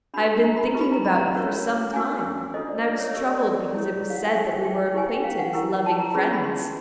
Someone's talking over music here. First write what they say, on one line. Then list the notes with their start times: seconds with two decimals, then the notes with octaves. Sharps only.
I have been thinking about you for some time, and I was troubled because it was said that we were acquainted as loving friends.
0.14 D4 F#4 B4 B5
0.44 A#5
0.56 B5
0.67 A#5
0.74 E4 G4 B4
0.81 B5
0.92 A#5
1.05 B5
1.16 A#5
1.34 C#4 F#4 A#4 C#5
1.93 C#4 F#4 A#4 G#5
2.54 D4 F4 A4 C5 D#5
2.68 D5
2.84 D#5
3.00 C#5
3.13 D#4 G4 A#4 D5
3.26 D#5
3.38 D5
3.74 E4 G#4 C#5
4.10 F5
4.17 F#5
4.26 G5
4.34 D#4 G#4 C5 G#5
4.64 G5
4.94 E4 G4 C5 G#5
5.09 G5
5.24 F5
5.39 F#5
5.53 E4 G4 A#4
5.86 A5
6.00 A#5
6.14 C#4 F4 G#4 B4 B5
6.33 B5
6.44 C6